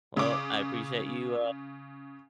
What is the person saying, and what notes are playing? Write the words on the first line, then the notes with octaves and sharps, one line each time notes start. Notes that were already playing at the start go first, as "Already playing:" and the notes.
Well, I appreciate you, uh,
C#3 D6